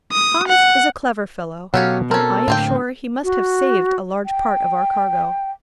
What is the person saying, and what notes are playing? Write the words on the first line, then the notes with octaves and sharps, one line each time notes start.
Hans is a clever fellow, and I am sure he must have saved a large part of our cargo.
D#6
F#5
B2 F#3 C#4 G4 A4 F5 F#5
C4 C#4 A4 A#4
A2 D3 A#3 C4 G5
F#4
G5